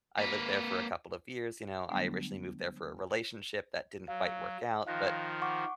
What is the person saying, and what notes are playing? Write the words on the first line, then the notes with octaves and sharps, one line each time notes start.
I lived there for a couple of years, you know, I originally moved there for a relationship that didn't quite work out, but,
A#3 B4
D3 F#3 G3 A3 B3 D4
F#3 F5
D#3 F3 F5 F#6 A#6
F#5 C#6 D6